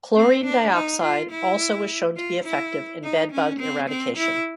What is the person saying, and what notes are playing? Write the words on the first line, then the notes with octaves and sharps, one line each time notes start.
Chlorine dioxide also was shown to be effective in bedbug eradication.
C4
D4
D#4
F4
E4
F4
E4
D#4
C#4
C4
C4
E4